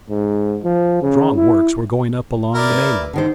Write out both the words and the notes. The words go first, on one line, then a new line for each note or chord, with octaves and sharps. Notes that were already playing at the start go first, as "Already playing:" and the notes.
Strong works were going up along the mainland.
G#2
F3
C#3
E4
E4 A#4 D5
B4
D3 D#3 C5